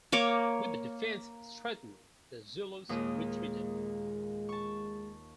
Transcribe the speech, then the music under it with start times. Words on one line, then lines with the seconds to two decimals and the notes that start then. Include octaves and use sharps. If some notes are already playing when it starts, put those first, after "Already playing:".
With the defense strengthened, the Zulus retreated.
0.12 A#3 C#5 D6
2.89 D#2 A#2 G#3 D#6
4.49 A5 C#6